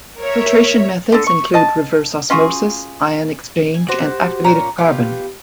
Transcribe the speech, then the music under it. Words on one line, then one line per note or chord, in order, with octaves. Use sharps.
Filtration methods include reverse osmosis, ion exchange and activated carbon.
A#4 C#5 E5
D3 A4
C#6
D#5 A5
C#4 F4 F#4 G#4
G#5
F#4 G4 C5
A#2 C#4 A#5
B3 F4 G4